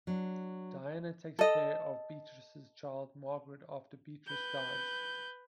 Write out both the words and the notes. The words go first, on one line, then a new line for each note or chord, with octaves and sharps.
Diana takes care of Beatrice's child Margaret after Beatrice dies.
F#3 D4
A4 D#5
B4 G6